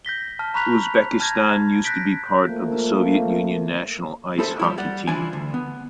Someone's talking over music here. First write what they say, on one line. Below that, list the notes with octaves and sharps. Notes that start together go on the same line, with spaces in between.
Uzbekistan used to be part of the Soviet Union national ice hockey team.
G6 A#6 B6 G7
A5 F6
A#5 B5 C#6 F#6 B6 F7
A5 F6 G6 G#6 A#6
F#6 G6 A#6 B6 D7
F3 A3 A#3
E4 A4 C5 D#5 E5
F3 G3 E4
G3 D5 F#5
E3 F3 D4 E4 G#5
D2
B3